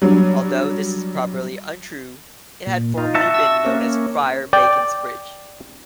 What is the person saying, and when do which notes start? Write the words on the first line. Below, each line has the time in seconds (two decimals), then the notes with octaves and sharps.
Although this is probably untrue, it had formerly been known as "Friar Bacon's Bridge".
0.02 F#3 G3 D4
2.67 A#2
2.98 D#4 F4
3.15 F#4 E5 A5
3.34 E6
3.66 A#3 C#4
4.53 D5 G5